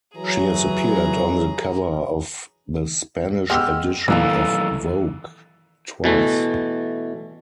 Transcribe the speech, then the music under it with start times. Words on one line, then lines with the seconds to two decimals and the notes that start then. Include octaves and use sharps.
She has appeared on the cover of the Spanish edition of "Vogue" twice.
0.17 E3 F#3 G#4 A#5
3.50 G#3 B3 G4 E6 F6
4.08 F#2 D#3 E3 A#3 D4 A4 F5 A#5
6.04 B2 E3 A3